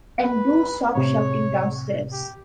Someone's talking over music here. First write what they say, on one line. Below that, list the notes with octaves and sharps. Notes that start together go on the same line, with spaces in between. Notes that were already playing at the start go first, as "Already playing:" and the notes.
And do stop shouting downstairs.
B4
A2 C3 C#5
G4